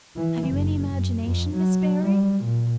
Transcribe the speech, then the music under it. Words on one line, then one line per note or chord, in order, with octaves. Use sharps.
Have you any imagination, Miss Barry?
E3
F#1
F#2
F2
F#3
G3
A#2